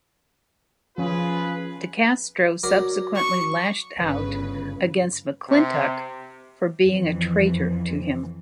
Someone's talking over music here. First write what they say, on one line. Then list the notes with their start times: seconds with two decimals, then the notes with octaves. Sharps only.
De Castro subsequently lashed out against McClintock for being a "traitor" to him.
0.98 F3 C#4 F4 G#4 B4
2.63 F#3 A#4 D5
3.16 C#6
3.98 G1 C#3 B4
5.48 C3
6.85 F2 E3